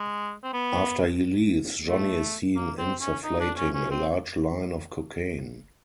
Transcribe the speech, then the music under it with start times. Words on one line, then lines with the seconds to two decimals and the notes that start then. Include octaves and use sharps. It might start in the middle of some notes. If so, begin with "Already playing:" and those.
After he leaves, Johnny is seen insufflating a large line of cocaine.
Already playing: G#3
0.44 C4
0.53 B3
1.88 A3
2.56 A#3
2.78 C4
3.01 C#4
3.24 D#4
3.40 D4
3.57 C#4
3.74 C#4
3.91 C4